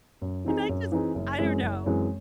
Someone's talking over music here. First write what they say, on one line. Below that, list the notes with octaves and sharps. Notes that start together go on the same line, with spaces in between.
and I just, I don't know.
F#2
E3 C4 D#4 G#4
F#2
E3 C4 D#4 G#4
F#1
F#2 E3 G#3 C4
F#1
F#2 E3 G#3 C4